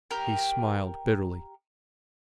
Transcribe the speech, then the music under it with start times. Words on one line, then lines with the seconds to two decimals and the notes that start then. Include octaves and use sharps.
He smiled bitterly.
0.11 G4 A#4